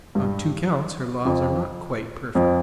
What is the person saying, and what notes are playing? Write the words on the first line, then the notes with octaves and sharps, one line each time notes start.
On two counts, her laws are not quite perfect.
G2 G3
F2 F3
F2 F3